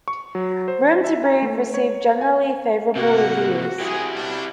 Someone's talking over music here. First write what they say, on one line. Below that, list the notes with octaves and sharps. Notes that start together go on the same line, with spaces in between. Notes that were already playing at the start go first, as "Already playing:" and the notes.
"Room to Breathe" received generally favourable reviews.
C#6
F#3
C5
E5
A#5
A3
C#5
G#5
C3 A#3 F#4 G4 F#5
E4 G4 G#4
B2 G3 D4